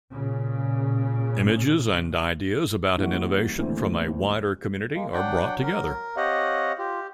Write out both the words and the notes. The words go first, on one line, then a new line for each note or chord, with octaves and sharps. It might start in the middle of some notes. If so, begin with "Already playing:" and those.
Images and ideas about an innovation from a wider community are brought together.
A#2 C#3
E3 G3 A#3 C#4 F#4
D2 A2 E3 A#3 C4
G#3 A#3
F#3 D4 F#5 G5
A#4
C4 G4 C#5 D#5 F5 F#5
F4 G4